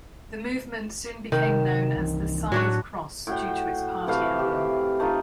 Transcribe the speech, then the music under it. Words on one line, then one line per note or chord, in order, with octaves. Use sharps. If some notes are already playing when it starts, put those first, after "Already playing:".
The movement soon became known as the Scythe Cross due to its party emblem.
C3 D#3
C2 E3
A2 F#3 D4 F#4
A2 F#4 G5
C3 E3 A3 F5
G4
A3 D#4 F4